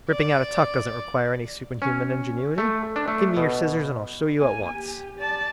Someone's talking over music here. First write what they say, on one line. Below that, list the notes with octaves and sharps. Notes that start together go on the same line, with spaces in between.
Ripping out a tuck doesn't require any superhuman ingenuity! Give me your scissors, and I'll show you at once.
D5
C#4
A3
D4
A3
B2
A#3 G#5
G4
D5 A5